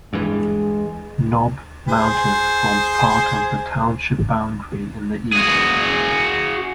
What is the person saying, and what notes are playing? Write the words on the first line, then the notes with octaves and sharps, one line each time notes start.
Knob Mountain forms part of the township boundary in the east.
G2 E3 G#3
G#4 C5
F#4 G#4